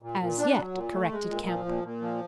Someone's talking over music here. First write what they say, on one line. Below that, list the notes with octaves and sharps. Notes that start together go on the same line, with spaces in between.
"As yet," corrected Kemp.
A#2
A#2
D4
F#3
A#2
A3
G#3
A#2
F3
A#2
A#2
F3